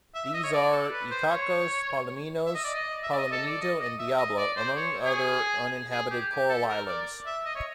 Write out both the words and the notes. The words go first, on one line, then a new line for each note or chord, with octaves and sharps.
These are Icacos, Palominos, Palominito, and Diablo, among other uninhabited coral islands.
E5
E5
D#5
C#5
D5
A4
B4
C5
C#5
E5
D#5
D5
D#5
E5
D5
D#5
A4
D5
D#5
D#5
E5
D#5
D5
C5
C#5
G#4
G#4
G4
G4
A4
A#4
D5
E5
D#5
C#5